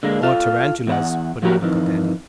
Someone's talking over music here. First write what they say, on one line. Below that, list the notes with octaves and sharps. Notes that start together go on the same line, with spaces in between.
"Or tarantulas," put in Uncle Daniel.
D3 G#3 A#3
F4 A4 F5
E2 E4 F#5
F3 F#3 A#3 F#4 G4 A#4
F2 D#3 E3